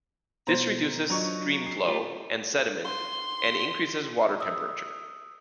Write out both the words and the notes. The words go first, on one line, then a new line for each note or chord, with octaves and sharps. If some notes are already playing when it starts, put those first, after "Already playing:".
This reduces streamflow and sediment and increases water temperature.
B2 C5 A#5
F#3 D4 F4 D#5 A#5 C#6
C7
A3 F4 G4
C6
D#6 E6